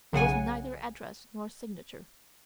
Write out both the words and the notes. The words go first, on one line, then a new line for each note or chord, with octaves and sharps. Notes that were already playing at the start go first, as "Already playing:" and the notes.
There was neither address nor signature.
B1 C#3 F#5 G#5